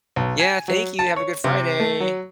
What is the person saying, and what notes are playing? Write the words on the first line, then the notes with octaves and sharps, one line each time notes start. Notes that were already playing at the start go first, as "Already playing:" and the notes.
Yeah, thank you, have a good Friday.
B1
G#5
F#3
A5
C#5
C3
A3
F#3